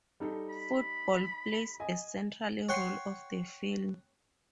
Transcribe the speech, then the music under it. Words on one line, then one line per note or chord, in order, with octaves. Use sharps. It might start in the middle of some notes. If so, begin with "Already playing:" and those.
Football plays a central role of the film.
G3 D#4 A4
B5
D#5 G#5
C#5 F#5 G5 C6